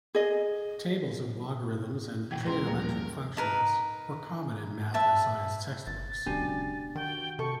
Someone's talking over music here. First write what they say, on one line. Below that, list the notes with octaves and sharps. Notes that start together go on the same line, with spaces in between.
Tables of logarithms and trigonometric functions were common in math and science textbooks.
G#4 D#5
B2 E3 G5 G#6
C#2 A#4 C6
D#1 F3 G3 A#3
D#4 A#4 B4
B4 E5 A5
G1 A6
D#1 C#2 F#2 B2 D4 G4 G#5
D#3 F#4 G5
C3 A4 C#6